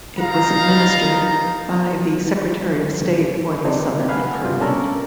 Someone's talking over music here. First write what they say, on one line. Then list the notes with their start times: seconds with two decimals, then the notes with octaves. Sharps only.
It was administered by the Secretary of State for the Southern Department.
0.18 G3 D#4 F4 F5 A#5
3.64 D3 C4 D4 D#4
4.09 B4 F5 F#5 G#5 B5 F6
4.45 G2 C3 F4
4.60 C#4 D4 A4 A#4